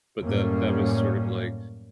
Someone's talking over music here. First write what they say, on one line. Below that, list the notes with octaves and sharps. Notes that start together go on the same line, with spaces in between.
but the that was sort of like,
F#2 A2 G3 A#3 C#4